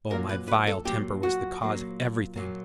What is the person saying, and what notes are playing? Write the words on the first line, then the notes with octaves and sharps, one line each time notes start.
Oh, my vile temper was the cause of everything!
A#2 F#3 A#3 A#4
B4
B4
A4
A#2 F#3 A#3 G4
F#4
A#2 F#3 A#3
A#2 F#3 A#3